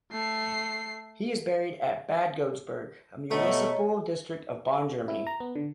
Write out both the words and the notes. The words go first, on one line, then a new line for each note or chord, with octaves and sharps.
He is buried at Bad Godesberg, a municipal district of Bonn, Germany.
A3 C7
B2 A3 C#5 D#5 A#5
E4
A#5
B3
D3